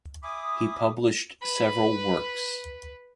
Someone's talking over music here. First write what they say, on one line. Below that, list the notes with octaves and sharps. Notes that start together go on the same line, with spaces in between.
He published several works.
E5 G#5 B5 D6 D#6
B4 B5